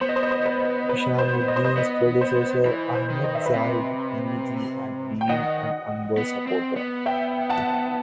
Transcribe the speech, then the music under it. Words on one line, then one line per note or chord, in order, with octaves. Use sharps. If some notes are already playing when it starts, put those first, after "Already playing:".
Hishammudin's predecessor, Ahmad Zahid Hamidi, had been an Anwar supporter.
B3 C5
D#5
C5
D#5
C5
B4 D#5
B4
C5
D#5
C5
B4 D#5
B3 B4 D#5
C5
E3 B4
C5
D#3
D#5
E5
B4 D#5
C3
G5
D#3 D#5 F#5
B3
C4
B3
E5 G5
F#5 A5